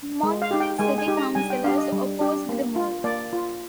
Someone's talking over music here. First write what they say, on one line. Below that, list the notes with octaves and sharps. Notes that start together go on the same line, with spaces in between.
Moncton City Councillors opposed the move.
G#3
F5
D#4 G4
G5
G#3 G#5
G#5
D#4 G4
A#5
G3 G#5
G5
D4 G4 F5
D#5
G3
D4 G4
A#3
F4
A#3 D5
F4